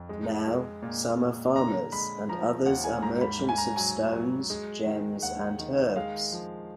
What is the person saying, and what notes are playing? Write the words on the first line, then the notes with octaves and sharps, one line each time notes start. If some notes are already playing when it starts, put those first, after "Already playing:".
Now, some are farmers and others are merchants of stones, gems and herbs.
Already playing: F2
G#3
G#3
A#2
A#2
D3 A#5
G#3 B5
F3 A#5
D#2 F#5
G#5
G#2 A#5
B5
G#2
G#5
A#5
F#3 G#5
F#3
G#3
D#3
D#2 F#5
D#3
G#3 F5
F3